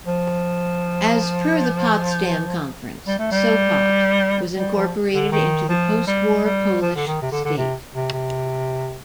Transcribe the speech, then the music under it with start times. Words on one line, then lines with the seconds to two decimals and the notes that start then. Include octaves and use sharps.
As per the Potsdam Conference, Sopot was incorporated into the post-war Polish state.
0.06 F3
3.06 G3
3.19 A3
3.31 G3
4.56 G3
4.75 F3
5.13 D3
5.32 D#3
5.69 F3
6.07 G3
6.44 G3
6.82 F3
6.95 D3
7.06 D#3
7.22 C3
7.32 D3
7.45 D3
7.57 C3
7.94 C3
8.13 C3